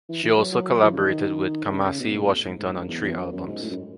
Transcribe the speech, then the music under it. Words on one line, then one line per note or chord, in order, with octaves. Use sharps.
She also collaborated with Kamasi Washington on three albums.
E3
E3
F#3
F#3
E3
C#3
D#3
D#3
C#3
C#3
B2
A2
G#2
G#2
F#2
E2
E2
F#2
F#2
G#2
A2
F#2